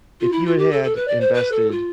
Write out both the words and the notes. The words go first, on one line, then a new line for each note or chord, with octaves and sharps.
if you had had invested
F4
E4
F4
G4
A4
A4
B4
D5
C5
B4
A4
F4